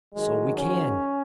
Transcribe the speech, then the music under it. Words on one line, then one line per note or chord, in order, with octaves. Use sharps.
So we can.
G#2 D#3 F#3 G#3
C#4